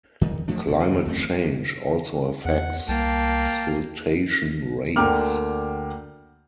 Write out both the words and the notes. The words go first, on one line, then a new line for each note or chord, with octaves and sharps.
Climate change also affects siltation rates.
E2 D#3
E2 F3 A3 D4
D1 B2
D#2 C#3
G1 E2 A3 C4
E2 F#5
C2 A#3 G5 A5
D2 D3 A#3 G5 D6 F6